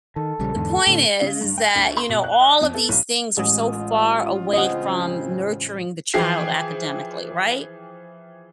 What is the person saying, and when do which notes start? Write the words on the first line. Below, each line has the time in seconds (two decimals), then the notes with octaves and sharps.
The point is, is that, you know, all of these things are so far away from nurturing the child academically, right?
0.16 D#3 A4
0.39 A#1 C#3 G3
0.55 E2 G#2 D3
0.87 A2 D3
1.22 C#3
1.41 G2
1.58 G5
1.75 D2
1.97 C6
2.09 B2
2.24 F#6
2.40 D#5
2.61 F2
2.74 A4
2.89 B1
3.37 A1 G#3 F4 D#6
4.53 C#3 C4 D#5 F#5
6.14 E3 F3 G#4 G5 C7